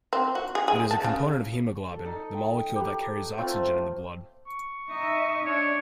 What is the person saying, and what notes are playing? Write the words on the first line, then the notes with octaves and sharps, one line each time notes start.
It is a component of hemoglobin, the molecule that carries oxygen in the blood.
C4
F#4
G#4
G#4
A5
C#3
A4
D#4 A4
G5
G4 B4
A3 C4 F4
C#6
D#4 D#5 E5
D4 C#5